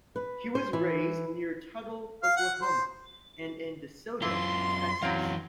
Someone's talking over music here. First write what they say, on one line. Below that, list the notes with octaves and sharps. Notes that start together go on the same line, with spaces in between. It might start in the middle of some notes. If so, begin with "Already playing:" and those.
He was raised near Tuttle, Oklahoma, and in DeSoto, Texas.
B4
C5
E3
F5
F#5
C5
F#2 E3 F4 C6
F#2 E3 F#3 C4 F5